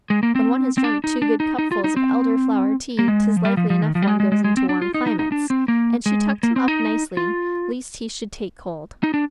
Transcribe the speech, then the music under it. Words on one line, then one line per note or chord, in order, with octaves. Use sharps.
"When one has drunk two good cupfuls of Elder-flower tea, 'tis likely enough one goes into warm climates"; and she tucked him up nicely, least he should take cold.
G#3
A#3
C4
C4
D4
D#4
D4
D#4
D#4
F4
D#4
C4
A#3
G#3
F3
G3
F3
F3
D#3
F3
G3
G#3
G#3
G#3
G#3
C4
D4
F4
D#4
D#4
D#4
D4
C4
A#3
G#3
A#3
C4
D#4
F4
D#4
D4